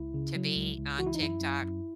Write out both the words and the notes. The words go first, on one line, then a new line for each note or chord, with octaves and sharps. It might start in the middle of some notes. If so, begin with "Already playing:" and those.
to be on TikTok.
Already playing: C#2 E4
C#3
F#3
C#2
C#2
E3 F#4
E4
D#4
F#2 E4
F#2
F#2